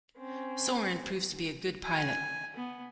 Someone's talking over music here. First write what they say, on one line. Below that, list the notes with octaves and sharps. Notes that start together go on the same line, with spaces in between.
Soren proves to be a good pilot.
C4 C#4
G#5
B3